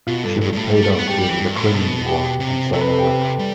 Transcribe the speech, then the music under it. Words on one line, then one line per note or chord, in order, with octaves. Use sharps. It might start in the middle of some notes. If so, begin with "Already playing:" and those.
She was paid off during the Crimean War, and saw no action.
B2 F4
G2 A4
G2 A4
G2
A2
G3
A3
G3
B3
A3 G4
G3
E3
G2
A2
B2
G4
C3
C3 A4
B4
A4
G4
A4
G3